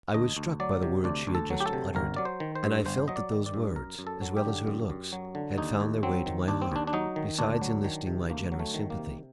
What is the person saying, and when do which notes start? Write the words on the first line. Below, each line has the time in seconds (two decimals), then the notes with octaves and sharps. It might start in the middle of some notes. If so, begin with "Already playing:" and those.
I was struck by the words she had just uttered, and I felt that those words, as well as her looks, had found their way to my heart, besides enlisting my generous sympathy.
0.14 D2 D#5
0.36 D2
0.60 F#3 D5
0.83 C3
1.04 D2 D5
1.27 D2
1.35 A4
1.50 F#3
1.60 G4
1.66 A4
1.73 C3
1.95 G1 A#4
2.16 F#3 D5
2.25 C5
2.40 D#3
2.55 C5
2.63 G2
2.86 G1 C5
3.08 F#3 D#5
3.16 D5
3.32 D#3
3.46 D5
3.54 G2
3.76 F#2 A#4
3.99 F#2
4.07 A4
4.22 F#3
4.37 G4
4.45 D3
4.67 F#2
4.90 F#2
5.12 F#3
5.35 D3
5.58 D#2 D#4
5.80 D#2
6.03 F#3 C4
6.26 D#3
6.48 D#2 D4
6.62 C4
6.72 D#2 D4
6.87 D4
6.93 F#3 D#4
7.16 D#3
7.39 D2 D4
7.61 F#3
7.84 D#3
8.07 C3
8.30 D2 A#3
8.52 F#3
8.59 A3
8.74 D#3
8.90 A#3
8.98 C3